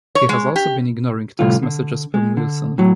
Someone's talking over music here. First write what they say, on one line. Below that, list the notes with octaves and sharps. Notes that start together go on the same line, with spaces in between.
He has also been ignoring text messages from Wilson.
C#5
G#3
G4
C2 A2 D3 F4
D3
G#3
D3
A2 F#3